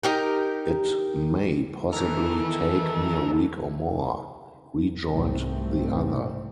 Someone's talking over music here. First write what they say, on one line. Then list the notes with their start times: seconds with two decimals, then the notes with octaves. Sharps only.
"It may possibly take me a week or more," rejoined the other.
0.03 D#4 G4 A#4
1.93 D#3 E3 A4 A#4
5.12 C2 G#2 A3 C4